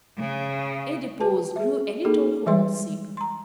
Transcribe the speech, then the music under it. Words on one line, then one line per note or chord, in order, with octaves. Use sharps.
Adipose grew a little home-sick.
C#3
F#4 B4 A5
G#4 E5
A#3 D#4 F#4 G#4 A4
E3 G3 G#3 B4 E5 C6
A#5 C6